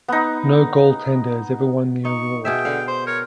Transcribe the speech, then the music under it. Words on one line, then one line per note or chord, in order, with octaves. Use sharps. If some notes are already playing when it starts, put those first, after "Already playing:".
No goaltender has ever won the award.
B3 D#4
D#4 C#6
B2 G#4 E5 G5
D3 F5
C5
A#4 C#5